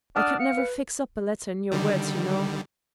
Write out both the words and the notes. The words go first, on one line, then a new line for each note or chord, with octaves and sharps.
I could never fix up a letter in your words, you know.
D4 F#5 D#6 F6
F5 C#7
B4
D3 D#3 G3